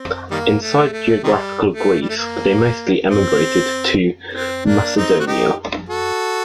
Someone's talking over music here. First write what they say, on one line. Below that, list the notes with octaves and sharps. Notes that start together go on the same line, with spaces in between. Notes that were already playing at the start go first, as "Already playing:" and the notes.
Inside geographical Greece, they mostly emigrated to Macedonia.
Already playing: C4
D#3 G3 A#3
A3
A3
C3 D#3 G3
A3
G3
A3
A#3
C4
C4
A#3 D4
C4 D#4
F#4
D#4 G4
F#4 A4